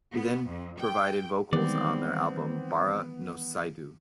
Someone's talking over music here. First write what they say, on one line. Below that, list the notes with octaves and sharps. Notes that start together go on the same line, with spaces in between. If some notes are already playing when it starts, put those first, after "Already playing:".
He then provided vocals on their album "Bara no Seidou".
B3
F2
G5
D#3 E3 G3 G#3 B3 C4 D5